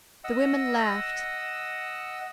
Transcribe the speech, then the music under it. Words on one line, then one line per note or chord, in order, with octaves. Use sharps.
The women laughed.
D#5 F#5 E6